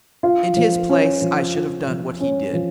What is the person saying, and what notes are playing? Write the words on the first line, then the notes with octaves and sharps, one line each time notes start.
In his place I should have done what he did.
F4
F3
C#4
F3
F4
F3
C#4
F3